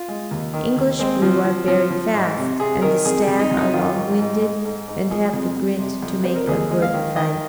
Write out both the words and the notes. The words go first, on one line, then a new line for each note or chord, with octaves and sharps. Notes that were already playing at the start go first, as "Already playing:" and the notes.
English blue are very fast and the stag are long winded and have the grit to make a good fight.
Already playing: F4
G#3
D#2
D#3
D#2
G#3 C4
F3
F3
F3
F3
G#2
C3
C3 G#4
D#3 A#4
F2 G#4
G#4
F2
D#4
F2
D#4
D#3 F4
G#2
G#2
G#3
G#2
G#2
F3 G#4
F2
F2
C3
F2
F2 C5
A#4
D#2 G#4
G#3
F5
D#3
D#3 D#5